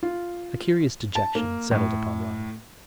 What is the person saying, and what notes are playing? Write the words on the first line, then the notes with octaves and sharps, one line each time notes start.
A curious dejection settled upon Robin.
F4
A5
A#3
A2